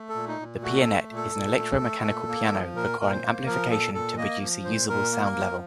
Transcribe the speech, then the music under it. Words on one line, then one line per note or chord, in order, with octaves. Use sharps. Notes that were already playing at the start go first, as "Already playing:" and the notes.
The Pianet is an electro-mechanical piano requiring amplification to produce a usable sound level.
Already playing: A3
A4
A#2
D#4
A#2
A3 F#4
A4
A3
A#2
A4
A#2
A3
A3
A#2
A#3
F3
A#2 A#4
A#2 A#4
C5
A#3
F3 A#4
A#2 A4
A#2 A4
A#3 D#5
F3
A#2 C5
A#2 A#4
A#3
A#4
F3